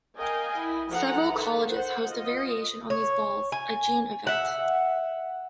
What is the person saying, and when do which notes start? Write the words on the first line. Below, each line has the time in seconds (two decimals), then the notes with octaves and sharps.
Several colleges host a variation on these balls, a June Event.
0.17 A#4 D#5 F5 G5 G#5
0.56 E4
0.91 F3 A4 F#5 A#5
1.33 D#3 A4 B4
1.68 C5 F#5
2.09 F4 D#5
2.90 C#5
3.52 G#5
4.27 E5 F#5